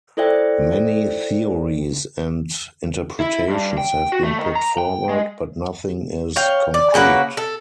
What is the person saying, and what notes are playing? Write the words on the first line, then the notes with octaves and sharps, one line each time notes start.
Many theories and interpretations have been put forward, but nothing is concrete.
E4 A4 C5 D5 E5 G5
E4
G2
G5
F#4
A3
D#3
A#5
G5
G#3
C#5 F5 G5
D5
C#3 A#3 F#4 B4
A4